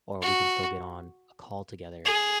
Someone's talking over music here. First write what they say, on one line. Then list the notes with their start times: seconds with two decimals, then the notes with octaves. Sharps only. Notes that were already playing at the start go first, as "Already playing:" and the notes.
or we can still get on a call together,
0.22 F#4
2.05 G#4